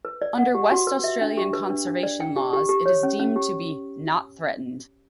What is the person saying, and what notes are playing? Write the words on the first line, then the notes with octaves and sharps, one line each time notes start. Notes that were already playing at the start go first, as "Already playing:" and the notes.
Under West Australian conservation laws it is deemed to be "not threatened".
B4
D5
F#5
G4
F#4
B4
E5
D4
G4
B4
D4
D4
D5
G5
G4
G4
G4
C#5
C#4
C#4
G4